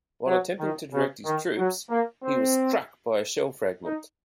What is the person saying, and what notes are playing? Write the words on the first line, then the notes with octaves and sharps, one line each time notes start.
While attempting to direct his troops, he was struck by a shell fragment.
F#3
D#3
C#3
D#3
F#3
A#3
C4
D#4